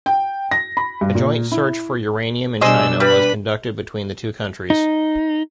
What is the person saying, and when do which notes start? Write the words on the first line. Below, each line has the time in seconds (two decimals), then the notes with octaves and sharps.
A joint search for uranium in China was conducted between the two countries.
0.06 G5
0.51 A#6
0.77 B5
1.01 G2
1.15 A#2
1.52 E4
2.61 B2 G3 D4 G#4 C5 D#5 E6
3.00 G3 D4 B4 B5
4.70 D#4